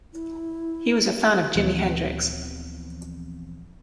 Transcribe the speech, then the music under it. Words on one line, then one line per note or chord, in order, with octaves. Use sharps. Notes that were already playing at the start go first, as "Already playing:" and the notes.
He was a fan of Jimi Hendrix.
E4
D2 A#2 E3 F3 B3 C4